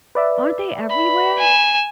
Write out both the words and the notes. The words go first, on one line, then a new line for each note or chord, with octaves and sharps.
Aren't they everywhere?
B4 D5 E5
B5
G#5 E7